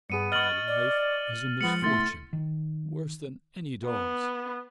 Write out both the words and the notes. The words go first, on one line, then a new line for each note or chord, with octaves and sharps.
My life is a misfortune, worse than any dog's...
G2 B3 G#4 C#7 D#7
D#5 C#6 F6 A6 F#7
D5
F3 G#3 B3 C#7 F#7
B2 A3 E4 C6 A6 C#7
D#3
B3